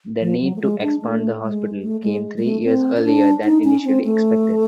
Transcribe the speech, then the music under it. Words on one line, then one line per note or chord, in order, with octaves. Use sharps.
The need to expand the hospital came three years earlier than initially expected.
F3
F#3
A3
G#3
D4
A3
G#3
A3
G#3
G#3
A3
C4
C#4
D4
D#4
C#4
C4
A3